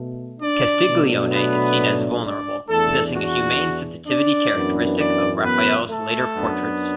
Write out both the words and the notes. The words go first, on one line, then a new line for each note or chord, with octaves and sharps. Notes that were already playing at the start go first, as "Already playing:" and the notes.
Castiglione is seen as vulnerable, possessing a humane sensitivity characteristic of Raphael's later portraits.
Already playing: B2 A3
D4 D5
B2 F#3 A3 D4
B3 B4
D4 D5
E2 E3 A3 D4 A4
F#4
D4 D5
F#2 E3 B3 D4
D4 D5
B3 B4
A3 A4
F#2 F#3 B3 D4